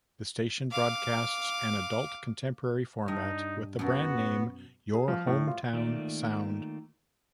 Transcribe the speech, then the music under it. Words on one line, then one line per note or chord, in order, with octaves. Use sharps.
The station broadcasts an adult contemporary format with the brand name Your Hometown Sound.
F5 D6
G2 D#4
F#2 B2 B3 F#4
G#4
F3
A2
F4
D#3 G3 A3 A#3 F4 D5